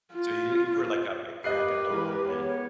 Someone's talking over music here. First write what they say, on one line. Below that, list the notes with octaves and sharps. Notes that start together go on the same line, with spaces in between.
So, you you were like up at the crack of dawn, right?
F4
G4 A#4 B4 D#5 F#6 C7
E3 G#3
B3 C#5